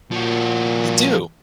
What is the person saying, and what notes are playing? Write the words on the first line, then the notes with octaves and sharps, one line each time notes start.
They do.
A#2 F3 F#4